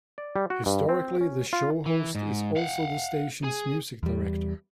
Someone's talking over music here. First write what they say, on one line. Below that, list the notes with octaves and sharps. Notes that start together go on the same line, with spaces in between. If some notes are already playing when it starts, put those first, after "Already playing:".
Historically, the show host is also the station's music director.
D5
G3
F#4
G2
C4
C#4
F4
E3
G#2
F5 F#5
G#4
E2 G3